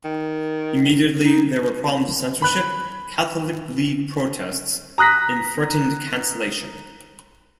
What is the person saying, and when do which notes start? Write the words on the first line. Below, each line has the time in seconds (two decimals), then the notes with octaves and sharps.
Immediately there were problems with censorship, Catholic League protests, and threatened cancellation.
0.04 D#3
1.23 D#4
2.42 B5 F#6
4.98 A#5 D#6 F#6 A#6 B6